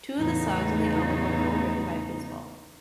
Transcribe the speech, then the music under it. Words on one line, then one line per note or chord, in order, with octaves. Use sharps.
Two of the songs on the album were co-written by Bisbal.
E2 A2 C#3 B3 D#4